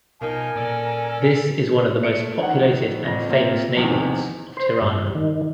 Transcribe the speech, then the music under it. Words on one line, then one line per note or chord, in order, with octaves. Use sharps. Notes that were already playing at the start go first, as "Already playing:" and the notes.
This is one of the most populated and famous neighborhoods of Tirana.
B2 F3 A#3 D#4 A#4 G#5
A#2 C#4 A4 D5
A3 C#7 D7
A#1 D#3 F#5
A1 F2 A#6
A#3 C4 F4 E5
A#1 E2 C3 D#3
C5
G2
D#3